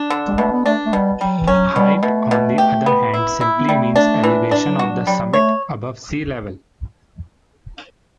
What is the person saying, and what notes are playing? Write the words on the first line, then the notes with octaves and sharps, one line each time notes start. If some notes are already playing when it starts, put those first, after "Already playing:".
"Height" on the other hand simply means elevation of the summit above sea level.
Already playing: D4
D3
B2 A3
B3
A3 D4
A3
B2 G3
F#3 G3
E3
F#3 C#4
B2 G3
G3
B2 A3
B2
G4
B3
E4
E4
B3
G3 A3
D4
E3
D4
F#3
G3 F#4
F#3
F#3 G3
F#3
A3 C#5